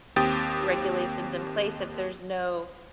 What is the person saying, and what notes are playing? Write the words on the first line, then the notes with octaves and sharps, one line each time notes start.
regulations in place if there's no,
D#2 C4 G4 G5 D#6 A6